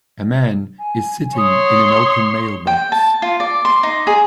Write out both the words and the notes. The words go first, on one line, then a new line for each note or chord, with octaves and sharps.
A man is sitting in an open mailbox.
G#5
C#5 C6 D#6
G5
A5
F4
D5
C6
D#4
G#4